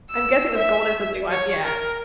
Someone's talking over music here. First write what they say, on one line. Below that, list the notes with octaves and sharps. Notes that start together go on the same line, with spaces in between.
I'm guessing it was Golden since we went yeah.
E6
E5
C#5
A#4